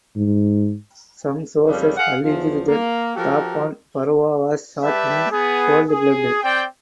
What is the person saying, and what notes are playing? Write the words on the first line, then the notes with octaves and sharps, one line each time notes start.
Some sources alleged that Tapan Baruah was shot in cold blood.
G#2
F2 C#3 G3
G#4 F5 F#5
E2 F3
A#3
F3 F#4 G4 A4 A#4
G3 G4 B4 E5 A5
B3 G#4
G#4
C4 D5 G5